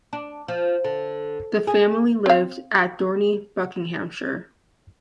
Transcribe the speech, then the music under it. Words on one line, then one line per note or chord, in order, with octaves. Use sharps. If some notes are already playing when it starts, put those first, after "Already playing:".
The family lived at Dorney, Buckinghamshire.
D4
F3
D3
G#4
C4 F5